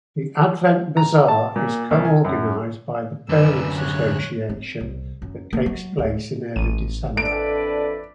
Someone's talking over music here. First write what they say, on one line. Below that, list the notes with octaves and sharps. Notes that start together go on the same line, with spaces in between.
The Adventsbasar is co-organised by the Parents' Association that takes place in early December.
A#5
A5
A#2
C2
G#5
F#2
F#2 D3 B4 E6
C#5 F#6
C4
C2
F#2
A#3
F#3
D2
A1 D#7
F2 D4 E4 A4 B4 D5 D7